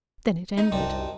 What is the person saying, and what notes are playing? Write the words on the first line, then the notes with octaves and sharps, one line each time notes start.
Then it ended.
D#4
C2 F#2 C4 D4